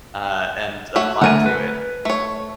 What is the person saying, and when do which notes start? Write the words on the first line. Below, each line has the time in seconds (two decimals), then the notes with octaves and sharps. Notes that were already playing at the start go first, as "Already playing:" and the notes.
uh, and applied to it.
0.96 A3 F#4 C#5
1.22 D2 A3 A#4 F#5 G#5
1.46 B4
2.05 A3 C#5